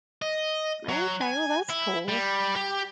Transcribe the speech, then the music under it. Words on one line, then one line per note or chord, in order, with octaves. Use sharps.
Okay, well, that's cool.
D#5
F#3
G#5
E4
G3
G4